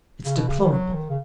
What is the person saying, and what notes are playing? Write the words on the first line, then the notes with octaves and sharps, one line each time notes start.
It's deplorable.
C#3
B2
C#3
D#3
F#3
D#3
C#3